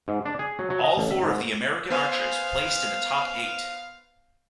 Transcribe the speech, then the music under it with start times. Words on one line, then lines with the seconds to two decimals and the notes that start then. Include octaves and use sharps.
All four of the American archers placed in the top eight.
0.08 G#2
0.25 D4
0.39 G#4
0.59 F#3
0.70 F#3
0.84 D#5
0.97 A1
1.11 E5
1.23 G#2
1.90 B3 C5 F5 G#5